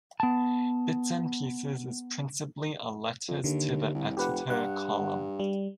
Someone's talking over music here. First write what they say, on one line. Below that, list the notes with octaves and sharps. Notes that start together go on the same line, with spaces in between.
Bits and Pieces is principally a letters-to-the-editor column.
B3 A5
F2
D#2 D3
C2
F1 G4 B4 F#5
G2 F#5
G3